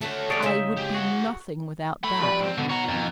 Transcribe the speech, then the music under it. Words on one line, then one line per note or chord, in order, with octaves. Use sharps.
I would be nothing without that.
A3 F#4 A4 C#5
G3 G4 G#4 C#5 D5
C#3 G#3 C4 D#4 E5
G4 G#4
F#4 G#4 F#5
A3 C#5 B5
F2 G4 B4 D5
G#2 C4
B2 D3
D#3 F#4 C#5 A#5
F2